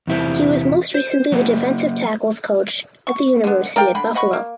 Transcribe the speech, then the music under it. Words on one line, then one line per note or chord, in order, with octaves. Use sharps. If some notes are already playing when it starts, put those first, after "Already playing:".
He was most recently the defensive tackles coach at the University at Buffalo.
E2 C3 E4 C5
C5
F#3 A#3
C#6
D3 B3
A#4 D5 F5 G5
D3 B5
D#5 F#5 B5 C#6
A#3